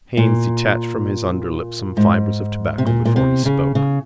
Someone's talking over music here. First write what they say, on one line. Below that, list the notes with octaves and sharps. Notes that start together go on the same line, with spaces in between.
Haines detached from his underlip some fibres of tobacco before he spoke.
A#2
G#2
C3
A#2
A#2
C3
C#3
C#3